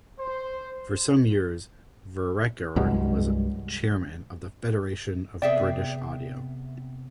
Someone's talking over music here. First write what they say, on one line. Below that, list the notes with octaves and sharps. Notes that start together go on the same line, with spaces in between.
For some years Vereker was chairman of the Federation of British Audio.
C5
C2 G2 F#3 G#3
C3 B3 G#4 D5 E5 G5